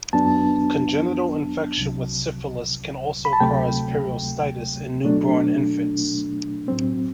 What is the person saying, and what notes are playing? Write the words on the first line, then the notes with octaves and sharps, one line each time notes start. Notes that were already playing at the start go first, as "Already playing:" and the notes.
Congenital infection with syphilis can also cause periostitis in newborn infants.
F#2 F#3 B3 D4 A5
C2 C3 F#3
B5
A5
D2 C3 F#3 A3 G5
B2 F#3 A3 D4
A2 F#3 C4